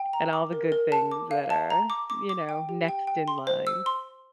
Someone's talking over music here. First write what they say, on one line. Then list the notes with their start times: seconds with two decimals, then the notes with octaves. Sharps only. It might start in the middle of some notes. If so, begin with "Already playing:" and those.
and all the good things that are, you know, next in line.
Already playing: G5
0.13 A#5
0.33 D6
0.53 A#4
0.72 A#4
0.92 A5
1.11 D6
1.31 F5
1.50 A5
1.70 A#5
1.90 D6
2.10 D6
2.29 D6
2.49 G5
2.69 G4
2.88 G5
3.07 G5
3.28 C6
3.47 C5
3.67 E6
3.86 C6